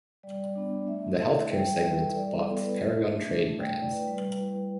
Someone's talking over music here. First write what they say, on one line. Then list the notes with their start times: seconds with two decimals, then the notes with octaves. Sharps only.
The Healthcare segment bought Paragon Trade Brands.
0.23 G3 D5
0.55 B3 D4
0.87 A3 E5
1.19 E4 E5
1.51 G3 G5
1.68 E5
1.83 E4 B4
2.00 A4
2.15 G3 D5
2.32 A4
2.47 B3 A4
2.50 E4
2.64 B4
2.79 A3 E5
3.12 D4
3.44 A3
3.59 G5
3.76 E4 D5
3.91 B4
4.07 G3 B4
4.40 E4